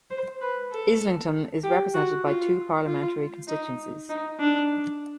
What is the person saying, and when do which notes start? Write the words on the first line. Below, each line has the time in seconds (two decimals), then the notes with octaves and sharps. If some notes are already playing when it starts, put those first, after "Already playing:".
Islington is represented by two parliamentary constituencies.
0.10 C5
0.41 B4
0.72 A4
1.64 G4
1.94 F#4
2.25 F4
2.86 F4
3.48 D#4
4.09 D#4
4.39 D4